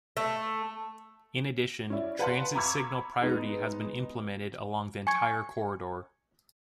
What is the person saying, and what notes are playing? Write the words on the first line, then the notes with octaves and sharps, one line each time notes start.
In addition, transit signal priority has been implemented along the entire corridor.
A3
C#4 E4 D5
B4 F5 F#5 A5 C6
A#5 B5 C#6 D6 E6 G#6
G#3 B3 D#4 G#4
G#5 C#6 G#6 C#7